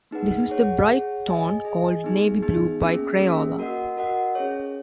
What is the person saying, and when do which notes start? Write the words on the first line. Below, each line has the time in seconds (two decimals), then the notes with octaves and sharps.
This is the bright tone called "navy blue" by Crayola.
0.11 A#3 D#4 G#4 B4 F#5
0.50 G#4 C#5 F#5
0.88 G#4 C#5 F#5
1.27 G#4 D#5 G#5
1.65 G#4 D#5 G#5
2.04 B3 D#4 G#4
2.42 B3 D#4 G#4
2.81 A#3 C#4 G#4
3.20 A#3 C#4 G#4
3.59 F#4 A#4 D#5 F#5
3.97 F#4 A#4 D#5 F#5
4.35 C#4 G#4 C#5